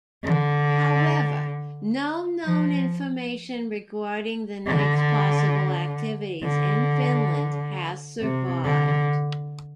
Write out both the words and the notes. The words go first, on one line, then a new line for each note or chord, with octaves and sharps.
However, no known information regarding the knights' possible activities in Finland has survived.
D3
F3
D3
D3
C3
D3